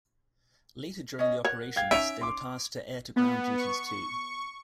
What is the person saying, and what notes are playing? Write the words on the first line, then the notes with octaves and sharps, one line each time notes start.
Later during the operations, they were tasked to air to ground duties too.
C#4 D#5
A#4 C#5 F#5
F5 G5 G#6
C#4 D#4 E5 D7 F7
C6 D6
B3
C#6